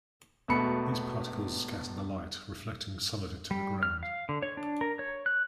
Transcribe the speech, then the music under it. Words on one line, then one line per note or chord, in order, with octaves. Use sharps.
These particles scatter the light, reflecting some of it to the ground.
E1 B2 A3 F#4 B5 C#7
G3
F6
F5
D3
C#5
D4
A#4
C#5
F#6